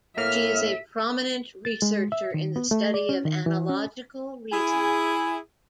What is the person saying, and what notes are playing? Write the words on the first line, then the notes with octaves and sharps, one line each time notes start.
She is a prominent researcher in the study of analogical reasoning.
A2 A#3 E5 F6
A6
G#3
E5
D#3
B3
A3
D5
C#4
D#3
E3
C#4
E4 G#4